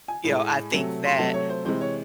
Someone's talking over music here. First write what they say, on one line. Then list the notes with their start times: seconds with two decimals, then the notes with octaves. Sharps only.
you know, I think that,
0.08 G#5
0.24 A2 G#3
0.71 C3 F#3 A3
1.05 C6
1.18 C3 F#3 A3 A5
1.34 C#5
1.49 C5
1.65 C3 E3 G#3 C5
1.81 C#5